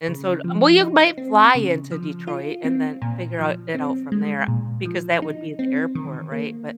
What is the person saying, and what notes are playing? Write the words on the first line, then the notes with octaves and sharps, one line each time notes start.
And so um, well, you've might fly into Detroit and then figure out it out from there because that would be the airport, right? But
C#3
F3
D#4
C4
C#3
F3
F4
C4
A#2
F3
C4
G#3
A#2
F3
D#4
C4
D#3
A#3